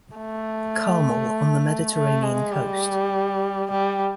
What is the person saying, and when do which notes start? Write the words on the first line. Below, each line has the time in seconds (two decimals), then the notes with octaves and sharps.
Carmel on the Mediterranean coast.
0.17 A3
1.94 A3
2.23 G#3
2.53 G3
3.71 G3